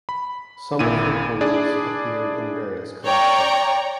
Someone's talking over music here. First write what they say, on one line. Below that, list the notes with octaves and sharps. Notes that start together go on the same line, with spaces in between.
Some of her poems appeared in various collections.
B5
G#1 A#2 E4 D#7
D4 E4 G#4 D5
C#5 D5 G5 A#5 C#6